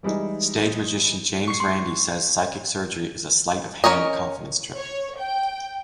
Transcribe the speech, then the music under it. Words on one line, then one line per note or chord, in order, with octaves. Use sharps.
Stage magician James Randi says psychic surgery is a sleight of hand confidence trick.
E3 G3 G#3 D#4
C#6 C7
C6
C#4 A#4 C#5 D#5
C#5
G5